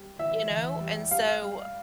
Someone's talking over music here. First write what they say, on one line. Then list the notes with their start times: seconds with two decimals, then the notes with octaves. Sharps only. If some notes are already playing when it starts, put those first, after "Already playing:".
you know? And so,
Already playing: G3
0.19 E3 E5
0.49 E2
0.80 G3
1.11 G3 F5
1.42 G3